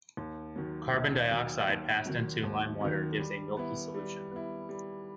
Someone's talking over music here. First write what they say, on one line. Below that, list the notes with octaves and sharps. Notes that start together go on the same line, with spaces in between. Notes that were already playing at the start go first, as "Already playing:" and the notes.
Carbon dioxide passed into limewater gives a milky solution.
D#2
D#3 F#3
D#2
D#3 F#3
D#2
D#3 F#3
D#2
D#3 F#3
G3
B3 E4
G3
B3 E4
G3